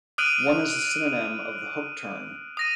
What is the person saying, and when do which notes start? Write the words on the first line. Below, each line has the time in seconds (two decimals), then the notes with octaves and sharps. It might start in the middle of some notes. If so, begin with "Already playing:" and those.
One is a synonym of the Hook Turn.
0.18 D#6 F6 F#6 D7 D#7 F#7
2.57 D#6 A#6 D#7